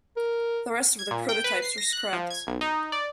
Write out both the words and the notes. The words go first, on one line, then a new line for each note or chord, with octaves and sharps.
The rest of the prototypes were scrapped.
A#4
G#6
A#2
G5
B4
C7
A#6
F#6
F3
G#6
B1
D#4
D5